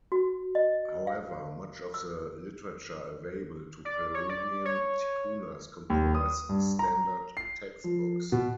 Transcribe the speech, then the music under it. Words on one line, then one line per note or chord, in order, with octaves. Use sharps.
However, much of the literature available to Peruvian Ticunas comprise standard textbooks.
F#4
D#5
F5
E6
D5
C#5
D5
C#5
D#2
D#6
G2
A#5
C7
F3
B2